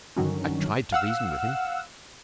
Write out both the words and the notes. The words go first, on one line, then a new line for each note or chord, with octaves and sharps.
I tried to reason with him.
G2 D3 D#3 F#3 C#4
F5 F#5 E6